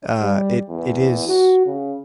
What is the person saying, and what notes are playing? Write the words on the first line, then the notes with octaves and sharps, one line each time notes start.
uh, it it is,
G3
E2
F#4
C#3